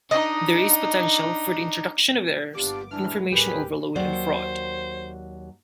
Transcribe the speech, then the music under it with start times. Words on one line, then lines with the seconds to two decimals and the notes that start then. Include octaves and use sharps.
There is potential for the introduction of errors, information overload, and fraud.
0.11 D4 D#4 D#5
2.55 G1 A#3 B3 D4 F4 G4 D6
2.91 E3 G3 G#3 D4 F6
3.32 D#2 A2 G4 G#4 A#4 B4
3.96 D#2 F#3 C5 D5